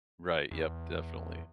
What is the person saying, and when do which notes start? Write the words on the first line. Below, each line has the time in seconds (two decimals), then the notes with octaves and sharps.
Right, yep, definitely.
0.51 E2